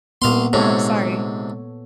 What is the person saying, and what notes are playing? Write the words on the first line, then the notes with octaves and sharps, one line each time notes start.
Ope sorry.
C2 A#2 B3 F5 C6
G#2 C3 A4 C#5